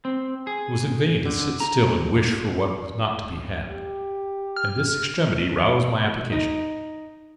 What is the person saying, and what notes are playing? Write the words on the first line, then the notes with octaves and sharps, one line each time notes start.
It was in vain to sit still and wish for what was not to be had; and this extremity roused my application.
C4
G#4
D3
A#5
G4
F6
D#4